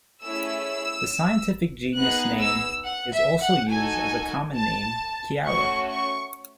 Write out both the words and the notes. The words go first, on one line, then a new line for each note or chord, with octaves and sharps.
The scientific genus name is also used as a common name Kerria.
A3 C#4 E4 G#4 E6
B3 D#4 G#4 F#6
E6
F#5
E5
F#5
D#4 F#4 A4 G#5
A5
A3 C#4 F#4 C#6
C#6